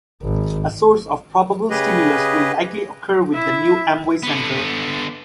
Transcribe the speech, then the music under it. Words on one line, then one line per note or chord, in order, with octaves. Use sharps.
A source of probable stimulus will likely occur with the new Amway Center.
G#1
C#3 G4 G#4 B4 D#5
E4 E5
D3 B3